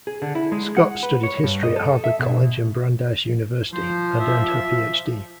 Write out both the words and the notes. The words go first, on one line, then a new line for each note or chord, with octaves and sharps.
Scott studied history at Harvard College and Brandeis University, and earned her PhD.
G#4
D3
E4
G#3
F#5
B4
C#5
G2
D#5
A4
E5
B2
F3 C5
E5